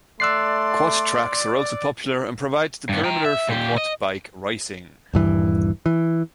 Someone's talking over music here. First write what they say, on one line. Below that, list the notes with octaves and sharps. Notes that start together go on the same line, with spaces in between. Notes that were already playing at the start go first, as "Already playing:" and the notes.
Quad tracks are also popular and provide the perimeter for Quad bike racing.
A3 D5 C6 E6 F#6 C7
G2 B3
G5 A#5
E5
A#2 G4
D#5
D#1 G2 E3
E3